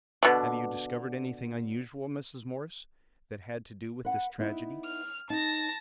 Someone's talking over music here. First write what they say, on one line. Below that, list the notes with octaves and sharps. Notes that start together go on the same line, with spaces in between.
"Have you discovered anything unusual, Mrs. Morse, that had to do with this tragedy?"
B2 D3
B4 F#5
B3 D#4 E4
F6
D#4 A5 A#6